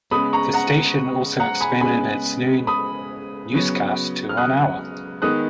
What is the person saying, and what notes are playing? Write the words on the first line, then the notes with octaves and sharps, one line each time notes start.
The station also expanded its noon newscast to one hour.
C#3 G#3 B3 B5 D#6
A#5 C#6
F#5 A#5
F#5 A#5
G#5 B5
C#3 G#3 B3 G#5 B5
B5 D#6
C#3 F#3 B3
F6
D#6 F#6
D#3 G#3 B3 D#6 F#6